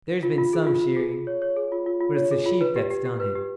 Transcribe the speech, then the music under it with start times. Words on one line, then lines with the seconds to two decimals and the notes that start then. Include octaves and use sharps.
There's been some shearing, but it's the sheep that's done it.
0.23 F4
0.38 F4
0.53 G#4
0.67 F4
0.82 F4
0.96 G#4
1.12 F4
1.27 C#5
1.42 C#5
1.57 G#4
1.72 F4
1.86 F4
2.00 F4
2.16 C#5
2.31 G#4
2.46 F4
2.61 B4
2.76 G4
2.90 G4
3.06 G4
3.20 B4
3.35 G4